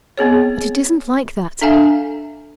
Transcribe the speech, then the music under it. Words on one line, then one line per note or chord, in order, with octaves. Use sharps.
But it isn't like that.
B3 C4 G#4 C#5
D4 A4 E5 F5 G#5